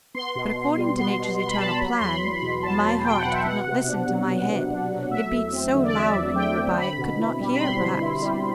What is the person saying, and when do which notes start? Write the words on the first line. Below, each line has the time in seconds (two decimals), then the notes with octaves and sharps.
But according to Nature's eternal plan, my heart could not listen to my head--it beat so loud when you were by, it could not hear, perhaps.
0.14 B3 C6
0.35 B2
0.56 B2
0.77 G3
0.97 B3 C6
1.18 B2
1.39 B2 C6
1.47 B5
1.57 G3 A5
1.66 B5
1.80 F#3 B5
1.98 E2 C6
2.08 B5
2.22 E2
2.35 B5
2.42 B2
2.63 F#3 A5
2.84 E2
3.04 E2 G5
3.18 F#5
3.25 B2
3.32 E5
3.46 B3 F#5
3.67 C3
3.88 D4
4.09 F#3
4.28 B3
4.49 C3
4.70 D4
4.90 F#3
5.11 A3 E5
5.33 E2
5.52 C4
5.74 D3
5.85 D5
5.94 A3 E5
6.15 E2
6.36 C4 G5
6.57 D3
6.77 C4 B5
6.98 B2
7.19 E4
7.39 G3
7.55 B5
7.60 C4 C6
7.80 B2
8.01 E4
8.22 G3